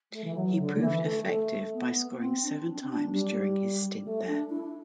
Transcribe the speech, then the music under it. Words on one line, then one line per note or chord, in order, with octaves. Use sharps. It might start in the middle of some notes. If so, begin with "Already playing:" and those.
He proved effective by scoring seven times during his stint there.
A3
E3
F#3
D3
D3
E3
A3
A3
B3
B3
C4
D4
D4
C4
D4
G3
A3
D4
E4
E4